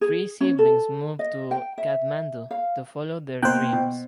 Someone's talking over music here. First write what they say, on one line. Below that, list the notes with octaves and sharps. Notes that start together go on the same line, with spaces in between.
Three siblings move to Kathmandu to follow their dreams.
G#4
C#4
A4
D#5
G5
E5
F5
B2 A#3 C5 G5 F#6
B2